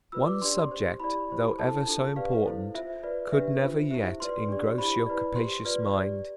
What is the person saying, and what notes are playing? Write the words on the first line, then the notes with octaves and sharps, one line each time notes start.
One subject, though ever so important, could never yet engross your capacious mind.
F4 B4 D5 E6
D6
D4 G4 D5 C6
G4 C5
E4 G4 D5 B5
E4 G4 C5
E4 A4 C5 A5
D4 F4 A4
G4 B4 D5 F5
E4 A4 C5
F4 C5 E5
F4 B4 D5
D4 G4 B4 E5
D4 F4 C5
E4 G4 C5 E5
F4 B4 D5 C6
D4 G4 D5
E4 G4 C5 B5
E4 B4 D5
G4 C5 C6
F4 B4 D5
G4 D5